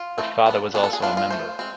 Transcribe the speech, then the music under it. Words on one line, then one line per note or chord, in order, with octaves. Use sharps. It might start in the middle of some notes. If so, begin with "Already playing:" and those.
Her father was also a member.
Already playing: F4
E3 A3 C4
G#3 B3 D4
F3 B3 D4 G#4
A4
G#4
E3 B3 D4 F4
F4
E3 A3 C5
G#3 C4